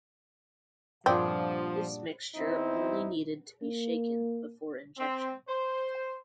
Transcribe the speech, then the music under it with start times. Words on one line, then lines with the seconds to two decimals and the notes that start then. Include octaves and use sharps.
This mixture only needed to be shaken before injection.
1.06 G2 A#2 F3 C4 D4 G#4 D5 F#5
2.36 E2 C4 D#4 E4
3.63 A#3
4.98 C4
5.48 C5